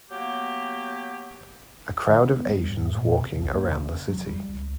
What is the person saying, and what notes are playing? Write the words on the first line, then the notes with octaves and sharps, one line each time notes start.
A crowd of asians walking around the city.
F#3 A#3 B3 G4
D3
B3
G3
G#2
A#2
C3
C2
A#3
C#3
F#3
G3
C#2